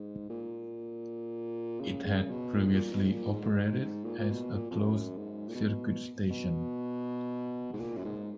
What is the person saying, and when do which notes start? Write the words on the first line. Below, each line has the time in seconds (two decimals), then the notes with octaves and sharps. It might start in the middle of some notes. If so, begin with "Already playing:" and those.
It had previously operated as a closed circuit station.
Already playing: G#2
0.30 A#2
1.80 C#3
2.05 C#3
2.30 B2
2.55 A#2
2.66 G#2
2.74 A#2
2.92 B2
3.02 G#2
3.11 A#2
3.30 G#2
4.05 A#2
4.19 A#2
4.30 B2
4.55 A#2
4.71 F2
4.80 F#2
5.17 G#2
5.49 A#2
5.55 B2
6.30 B2
7.73 G#2
7.80 A#2
7.97 F#2
8.05 G#2